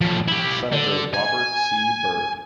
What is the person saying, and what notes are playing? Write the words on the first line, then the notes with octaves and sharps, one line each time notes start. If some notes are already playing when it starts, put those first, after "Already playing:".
Senator Robert C. Byrd.
A2 F3
E4 G4
D3
G#5